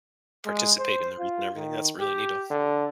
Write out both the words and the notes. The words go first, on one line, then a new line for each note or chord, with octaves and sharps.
Participate in the wreath and everything, that's really neato.
G#3
C5
F4
D#3
G4
D3